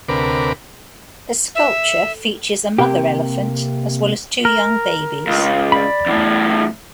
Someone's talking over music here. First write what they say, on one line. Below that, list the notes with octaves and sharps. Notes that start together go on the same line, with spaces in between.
The sculpture features a mother elephant as well as two young babies.
D2 C3 A#4 B4 D6
E5
C3 A#3 G4
A#4
C#2
D5 B5
E2 A2